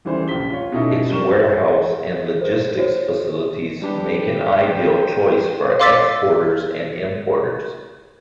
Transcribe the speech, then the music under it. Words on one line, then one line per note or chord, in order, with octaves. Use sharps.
Its warehouse and logistics facilities make an ideal choice for exporters and importers.
C#3 E3 G3 A3 C5
A#1 C#3 B6 G7
F4 C#5
B2 C#4 D#4 E4 A4
G3 A#4 C#6 E7
A#4 C5
F#4 C5 C#5
G3 D4 G4 B4
F5 C6 D6 E6 A6 B6